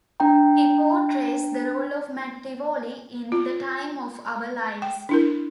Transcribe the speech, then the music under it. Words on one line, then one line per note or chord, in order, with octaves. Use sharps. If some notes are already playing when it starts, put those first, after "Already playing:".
He portrays the role of Matt Tivolli in "The Time of Our Lives".
D4 G5 A#5
F4
G5
D4 E4 A#4